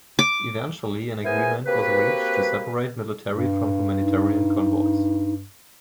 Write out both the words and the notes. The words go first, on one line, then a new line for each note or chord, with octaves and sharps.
Eventually an agreement was reached to separate military from humanitarian convoys.
D6
B3 E4 G#4 A#4 C5 G#5
A#3 C4 F#4 G4 B4
G2
D#4